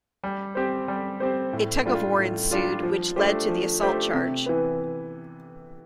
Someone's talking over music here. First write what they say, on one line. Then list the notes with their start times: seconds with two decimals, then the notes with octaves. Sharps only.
A tug of war ensued which led to the assault charge.
0.23 G3
0.55 C4 G4 C5
0.88 G3
1.20 C4 G4 C5
1.53 A2
1.85 G3 D4 F4
2.18 A2
2.51 G3 D4 F4
2.83 F3
3.16 A3 D4 G4 C5
3.48 F3
3.80 A3 D4 G4 C5
4.14 C3
4.46 E3 B3